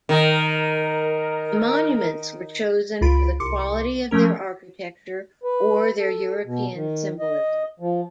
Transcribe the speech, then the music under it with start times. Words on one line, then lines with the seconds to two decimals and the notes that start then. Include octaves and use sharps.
The monuments were chosen for the quality of their architecture or their European symbolism.
0.09 D#3 A#4
3.01 C#2 F4 B5 D7
3.40 C2 C6 D6 C#7
4.11 F3 A3 C#4 A#4
5.44 B4
5.99 A4
6.45 B2
6.73 D#3
7.20 D#5
7.80 F3